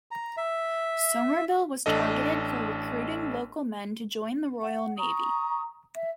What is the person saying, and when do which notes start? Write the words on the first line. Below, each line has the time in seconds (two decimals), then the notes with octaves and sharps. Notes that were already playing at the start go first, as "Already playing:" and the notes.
Somerville was targeted for recruiting local men to join the Royal Navy.
0.11 A#5
0.37 E5
1.86 A1 D4 A4 D#5
4.61 F#5
4.98 A#5 C#6 D#6
5.96 E5